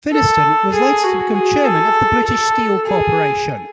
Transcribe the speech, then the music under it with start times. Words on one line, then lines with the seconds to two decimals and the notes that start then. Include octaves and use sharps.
Finniston was later to become chairman of the British Steel Corporation.
0.12 A4
0.73 G#4
1.03 F#4
1.34 G#4
1.64 A4
2.25 A4
2.86 G#4